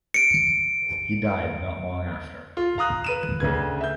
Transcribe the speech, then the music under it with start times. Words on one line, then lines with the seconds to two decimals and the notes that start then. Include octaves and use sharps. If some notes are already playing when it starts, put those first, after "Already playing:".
He died not long after.
0.14 C#7 D7
2.57 F4
2.78 F5 A#5 D#6 F#6
3.04 B4 D#7 E7
3.40 D2 C#3 B4 G#6
3.81 E5 G6